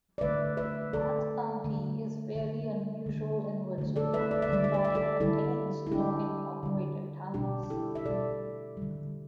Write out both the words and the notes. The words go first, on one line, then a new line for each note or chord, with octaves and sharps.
Bath County is fairly unusual in Virginia in that it contains no incorporated towns.
D5
D3 A3 B4 E5
B4 E5
D3 A3 A4 D5
D3 A3
D3 A3
D3 A3
D3 A3
A4 D5
B4 E5
D5
E5
D3 G3 D5
E5
D5
E5
A4 D5
D3 G3 E4 A4
E4
D3 G3 D4 G4
D3 G3
B2 G3 D4 G4
G4
E4 A4
E5
B2 G3 A4 D5
D3 G3